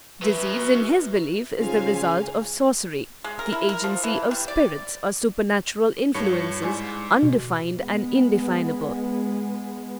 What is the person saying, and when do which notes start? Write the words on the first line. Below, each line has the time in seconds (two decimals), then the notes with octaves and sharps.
Disease, in his belief, is the result of sorcery, the agency of spirits or supernatural influences, undefined and indefinable.
0.22 F#3 B4 E5
1.58 G#2 C#3 F4 F5 G#5
3.24 G#3
3.39 A#4
3.52 E4
3.69 A#4
3.84 F3
4.04 E3
4.31 G3
4.48 D5
6.15 G2 D#4 C#5 A5 C#7
6.33 F4
6.62 G#2 E4 D5 G#5
7.23 B2
7.74 G#3 B3